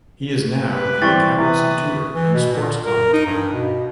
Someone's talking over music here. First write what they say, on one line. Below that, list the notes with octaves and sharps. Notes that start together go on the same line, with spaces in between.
He is now an accountancy tutor and sports commentator.
G4 B4
E3 G3 C4 C#6 A6
C3 E3 B4 D#6
E3
B2
A#2
A#4
D#4
G2
B2